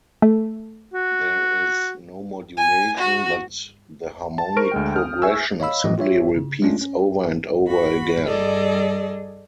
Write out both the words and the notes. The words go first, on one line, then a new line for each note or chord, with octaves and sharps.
There is no modulation, but the harmonic progression simply repeats over and over again.
A3
F#4
G#5
F#4
A5
A#4 C5 C#6 F6 D7
D2 G#3 G5
D#6 F6 G6
G#4 E5 G#5 C#6 E6
C#5 D#5 F5 B5 E6
A2 E3 F3 A3 D#5
F4 G4 C#5 E5
C#3
G#3 A3 C#4 D4 F4
C#4
F#4 B5
G2 G3 G#4 A4 D5 D#5